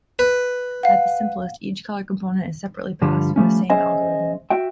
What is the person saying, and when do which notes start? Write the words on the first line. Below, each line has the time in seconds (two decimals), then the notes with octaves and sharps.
At the simplest, each color component is separately passed through the same algorithm.
0.19 B4
0.83 F5 F#5
3.02 G2 D3 F3 G3
3.36 F3 G3 A3 C#4
3.70 C#4 G#4 C5 D#5 E5 G#5
4.50 F#4 E5 G5